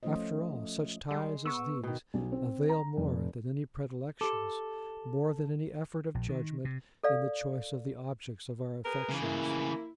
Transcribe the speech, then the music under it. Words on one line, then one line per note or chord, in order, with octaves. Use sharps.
After all, such ties as these avail more than any predilections, more than any effort of judgement in the choice of the objects of our affections.
F3 A3 C#4 F4 C5 D#5
G3 G#3
B3 C#6 E6
B2 D#3
B1
C4
A#5
F1
G4 A4 D6
A#1
D#3
C3
A4 D5 F5
G#4 A#4 B4
C#3 E3
A#3 E4